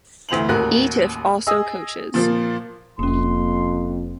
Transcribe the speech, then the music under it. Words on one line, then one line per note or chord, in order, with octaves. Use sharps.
Eatough also coaches.
D2 E3 C5 F7 F#7
A1 D#2 F#4 A#4 F#6
G#4 D#5 D#6 E6
A#2 F3 A#3
F1 F2 A#3 C#4 C6